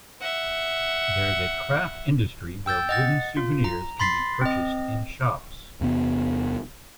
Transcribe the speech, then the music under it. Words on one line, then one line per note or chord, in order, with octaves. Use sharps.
There is a craft industry where wooden souvenirs can be purchased in shops.
E5 F#5
G5 E6 G6 A6
D#5 F#5 A6
F4
A#5
B5 C6 A6 B6 C7
C4 D#5
E2 C3 B3